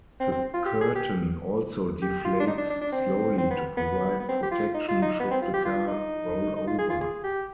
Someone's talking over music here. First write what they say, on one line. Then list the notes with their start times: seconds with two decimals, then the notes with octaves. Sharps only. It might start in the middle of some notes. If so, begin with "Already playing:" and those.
The curtain also deflates slowly to provide protection should the car roll over.
0.20 C4
0.32 C4
0.54 F4
0.66 G4
0.81 G#4
0.96 G4
2.02 G4
2.25 F4
2.40 D4
2.47 D#4
2.58 D4
2.70 D4
2.81 D4
2.93 C4
3.38 C4
3.51 B3
3.77 B3
4.20 B3
4.29 C4
4.43 G4
4.51 F4
4.74 D#4
4.89 F4
5.02 D#4
5.20 B3
5.31 C4
5.42 F4
5.54 G4
5.65 F4
5.88 D#4
6.56 D#4
6.67 F4
6.79 G#4
6.90 F4
7.01 G#4
7.24 G4